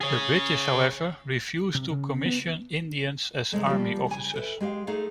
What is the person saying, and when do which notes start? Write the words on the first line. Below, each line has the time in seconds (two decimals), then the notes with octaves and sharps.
The British, however, refused to commission Indians as army officers.
0.01 G#4 C#5
1.75 C3
1.91 C#3
2.25 B3
3.52 C3 D#3 G#3 A3
3.66 F3 G3 A#3 G4
4.07 C#3 G#5
4.33 A4 B4 E5
4.60 G#3 G4 E5 F5
4.87 A3 D#4 G#4 A4 F5